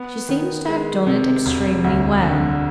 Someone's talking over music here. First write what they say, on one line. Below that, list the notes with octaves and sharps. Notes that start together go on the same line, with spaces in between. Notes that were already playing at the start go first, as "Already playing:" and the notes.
She seems to have done it extremely well.
Already playing: B3
D#3
G#3
C3
E1
D2
D3